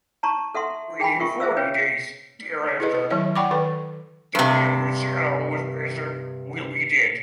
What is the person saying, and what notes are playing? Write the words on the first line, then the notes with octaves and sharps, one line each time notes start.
Within forty days thereafter the man whose shadow was measured will be dead.
A5 A#5 C#6
A4 E5 F#5 C6
G#4 G5 G#5 B5
F4 A#4 E5 C#6
G#4 A#4 C5 E5 F5 E6
C#4 B4 C#5
E4 G#4 A4 B4 D#5
D#5
D#3 F#3 E4 C#5 E5
D5 F#5 G5 B5 C#6 D6
D#3 A4 B4 G5
G2 C3